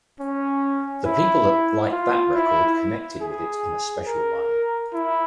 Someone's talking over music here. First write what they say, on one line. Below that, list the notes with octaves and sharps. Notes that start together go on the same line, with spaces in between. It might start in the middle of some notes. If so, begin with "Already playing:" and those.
The people that liked that record connected with it in a special way.
C#4
E4
F4
E4
G#4
A#4
E4